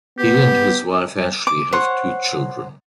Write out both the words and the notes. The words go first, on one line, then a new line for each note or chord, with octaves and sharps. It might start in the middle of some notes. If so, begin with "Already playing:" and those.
He and his wife Ashley have two children.
B3 G4
D6
C5 C#5 F#5